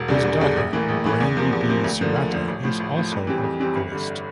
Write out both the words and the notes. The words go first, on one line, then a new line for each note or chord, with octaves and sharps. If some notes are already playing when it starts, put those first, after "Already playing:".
His daughter, Brandy Bee Serrata, is also a vocalist.
Already playing: E1
E2 D3 G3 D4
E1
E2 D3 G3 D4
A#1
A2 E3 A#3
A#1
A2 E3 A#3
E2
C3 F3 A#3
E2
C3 F3 A#3
D2
D3 F3 A#3
D2
D3 F3 A#3
A1
A2 F3
A1
A2 F3
F2
E3 G3 C4 G4
F2
E3 G3 C4 G4
G1
G2 D3